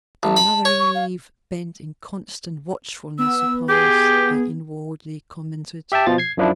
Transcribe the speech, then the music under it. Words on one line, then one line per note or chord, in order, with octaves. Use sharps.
"Another eve bent in constant watchfulness upon us," I inwardly commented.
A1 A5
B5
C#5
C#6
F5
B3 E6
G4 G#4
G4 E5 G5 A5
B2 F3 F4 A6
G#6 C7
F#2 F3 D4 E4